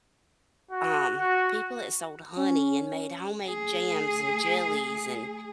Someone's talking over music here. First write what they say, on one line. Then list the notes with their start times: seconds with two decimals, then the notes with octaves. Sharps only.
um, people that sold honey and made homemade jams and jellies and
0.71 F#4
1.17 F#4
2.37 C#4
3.46 A3 G#4